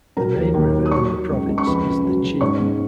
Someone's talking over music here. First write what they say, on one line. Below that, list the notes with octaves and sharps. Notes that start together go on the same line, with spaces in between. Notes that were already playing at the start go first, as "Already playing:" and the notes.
The main river in the province is the Chi.
F#3 A#4 A#5
D#2
D#2
F#3
D#6
F#3 C#5 C#6
F#3
C#2
C#2
C#6
F2 B4 B5
C#3
F#3
C#3
G#2 C#5 C#6
G#2